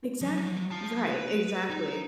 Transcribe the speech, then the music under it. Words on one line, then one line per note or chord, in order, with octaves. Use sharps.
Exact right, exactly.
F3 F#3
F4 A5
B4
D#4